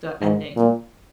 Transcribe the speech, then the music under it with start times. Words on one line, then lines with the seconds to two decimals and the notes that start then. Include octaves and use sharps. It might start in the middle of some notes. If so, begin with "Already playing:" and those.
the ending.
0.21 G#2
0.56 A#2